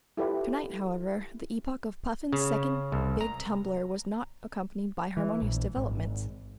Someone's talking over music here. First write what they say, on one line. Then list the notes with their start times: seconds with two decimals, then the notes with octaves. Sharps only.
To-night, however, the epoch of Puffin's second big tumbler was not accompanied by harmonious developments.
0.17 E4 F4 G4 A4 B4 D5
2.33 C#3
2.92 C2
3.21 A#5
5.17 E3
5.42 A#1
5.77 G#1